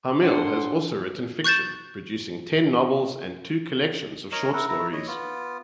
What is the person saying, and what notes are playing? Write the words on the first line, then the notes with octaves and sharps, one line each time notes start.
Hamill has also written fiction, producing ten novels and two collections of short stories.
A#2 D4 A4 F#5 C6
C#6 F#6 G6 A6 E7
A#4 C#5 D#5
E4 A#4 F#5
E4 A#5
C#5 D#5
B3 F4